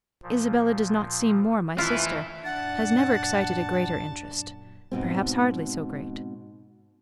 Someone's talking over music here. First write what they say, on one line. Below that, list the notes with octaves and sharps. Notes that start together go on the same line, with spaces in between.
Isabella does not seem more my sister; has never excited a greater interest; perhaps hardly so great.
A#2 F3
F2 E3 A3 E4 F4 E5
F#2 A#2 D4 F#5 A5
G#2 B2 C4